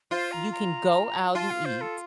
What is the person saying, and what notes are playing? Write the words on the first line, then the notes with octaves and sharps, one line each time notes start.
you can go out and eat,
F4 C5
A#5
A#5
F4 A5
F5
C5
A4